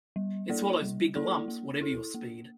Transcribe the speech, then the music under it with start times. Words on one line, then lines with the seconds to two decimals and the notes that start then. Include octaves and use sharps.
It swallows big lumps, whatever your speed.
0.16 G3
0.50 A#3 E4 A4 D5
0.82 G3
1.15 A#3 E4 A4 D5
1.48 A#3
1.82 E4 A4
2.14 A#3